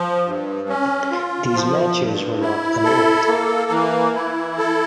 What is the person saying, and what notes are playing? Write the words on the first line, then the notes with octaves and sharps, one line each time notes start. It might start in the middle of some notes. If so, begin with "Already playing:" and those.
These matches were not annulled.
Already playing: F3
G2
C#4
F4
F3
G2
E4
A4
A#3
E3
E4
A4